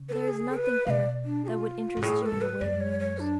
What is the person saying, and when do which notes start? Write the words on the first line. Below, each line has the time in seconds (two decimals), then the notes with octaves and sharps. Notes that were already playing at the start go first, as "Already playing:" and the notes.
There is nothing here that would interest you in the way of news.
Already playing: C#3
0.09 B4
0.13 A4
0.28 G#4
0.57 B4
0.86 B2 D5 F5
1.25 D4
1.44 G#4
1.48 F4
1.97 G#2
2.02 A2 G#4
2.22 B4
2.26 A4
2.32 G#2
2.41 B4
2.61 F#2 D5
2.81 C#5
3.00 C#5
3.19 D4